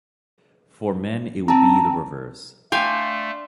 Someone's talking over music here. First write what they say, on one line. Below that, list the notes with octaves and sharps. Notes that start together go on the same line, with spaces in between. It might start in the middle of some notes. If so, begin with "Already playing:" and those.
For men, it would be the reverse.
C4 A5 A#5
A3 D4 F5 G5 G#5 C6